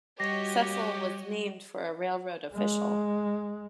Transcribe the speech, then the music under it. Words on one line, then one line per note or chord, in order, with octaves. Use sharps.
Cecil was named for a railroad official.
G3 F#4 G4 C#5 D#5 A#6
G#3